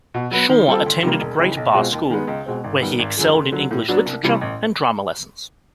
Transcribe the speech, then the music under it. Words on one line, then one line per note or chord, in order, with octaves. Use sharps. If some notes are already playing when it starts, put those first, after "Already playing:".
Shaw attended Great Barr School, where he excelled in English literature and drama lessons.
B2
F#3 B3
D#3
G3 C4 F4 A4
D2
C3 D#3 G3 A#3
E1
D#2 C#3 E3
B1
B2 G#3 C4 F4
D#2
D#3 G#3 B3
C#2
B2 G#3 C4
G#1
F#2 D#3 G3 B3
G#1
F#2 D3 F3 G#3
D2
D3 F#3
A2
F#3 B3 D4 F#4
C2
C3 E3 G3
A1